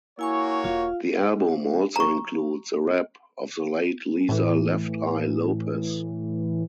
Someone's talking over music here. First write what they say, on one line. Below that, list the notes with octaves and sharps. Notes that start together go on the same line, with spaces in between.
The album also includes a rap of the late Lisa "Left Eye" Lopes.
A#3 E4 F#4 C#5 G#5 C#6
E1 F4 F5
A#5 C#6
A2 E3